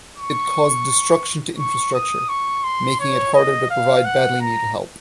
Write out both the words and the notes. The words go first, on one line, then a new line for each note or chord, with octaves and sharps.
It caused destruction to infrastructure making it harder to provide badly needed help.
C#6
C#6
D#6
C#6
C6
C#5
D#5
F5
F#5
A#5